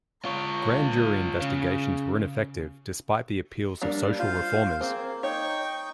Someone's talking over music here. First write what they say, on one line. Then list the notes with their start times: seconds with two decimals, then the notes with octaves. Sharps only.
Grand jury investigations were ineffective, despite the appeals of social reformers.
0.25 F4 C#5
1.42 C#3
3.82 G3 A#3 D4
4.19 F4 C5 F5
4.81 A#3 C4 G#4 C5
5.23 D#4 C#5 G5 C#6